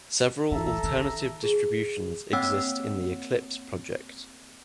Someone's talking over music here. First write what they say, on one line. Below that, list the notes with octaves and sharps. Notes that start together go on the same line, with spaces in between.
Several alternative distributions exist in the Eclipse project.
E3 A4 E5 A#5
D#3
G#4
A#3 C4 C#5 F#5 G5 E6